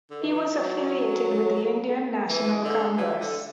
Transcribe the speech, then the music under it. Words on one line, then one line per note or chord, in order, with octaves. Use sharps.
He was affiliated with the Indian National Congress.
D3
E3
F#3
E3
D3
E3
D3